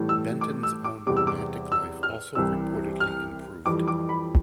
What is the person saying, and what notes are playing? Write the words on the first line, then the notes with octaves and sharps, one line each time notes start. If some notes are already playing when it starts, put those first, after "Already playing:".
Benton's own romantic life also reportedly improved.
Already playing: A2 E3 G3
E6
D6
E6
D6
E2 C3 G3 D6
E6
D6
E6
F6
C2 C3 E3 G3 E6
F6
F2 E3 G3 D6
D6
B5